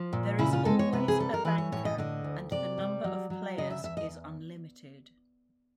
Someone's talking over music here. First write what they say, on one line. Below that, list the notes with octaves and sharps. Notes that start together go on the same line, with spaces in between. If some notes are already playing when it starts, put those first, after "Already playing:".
There is always a banker, and the number of players is unlimited.
Already playing: F3
A#2
C#3 E4
F4
G#3 A4
C#5
C3 B4
G#4
G3 A4
A#4
E3 B4
C#5
A2 C#5
D#5
D3 D#5
D2
C3 D5
G3
F#3
F#3
C#3 D#5
E5
E2 E5
D#5